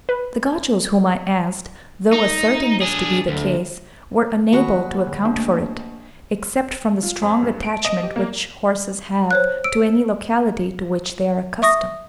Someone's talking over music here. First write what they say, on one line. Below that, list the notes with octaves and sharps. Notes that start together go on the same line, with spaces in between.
The Gauchos whom I asked, though asserting this to be the case, were unable to account for it, except from the strong attachment which horses have to any locality to which they are accustomed.
B4
D#4
D4 G#4
D2
D#3 A#3 F#4 B4 F#6
D3
A3 A#3 D4
F4
F2
G2
D7
D#5
G4
A#3
C5 C#5 F#6
E6 D7
E5 C#6 D#6 A#6